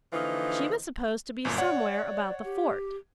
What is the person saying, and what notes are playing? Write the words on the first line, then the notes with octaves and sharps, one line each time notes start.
She was supposed to be somewhere about the fort.
D3 E3 F3 A#3 D#4
G1 F#2 A#2
C#5 D5 F#5
G4